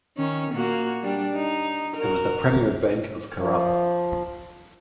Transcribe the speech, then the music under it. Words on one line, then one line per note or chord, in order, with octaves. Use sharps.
It was the premier bank of Kerala.
D#3 C#4
A#2 A#3 F#4
G3 D4
D#4
F#4 A#4
F3